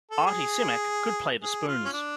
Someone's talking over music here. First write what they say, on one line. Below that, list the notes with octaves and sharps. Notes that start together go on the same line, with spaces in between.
Artie Simek could play the spoons.
A4
G#4
G#4
F4
C#4
D4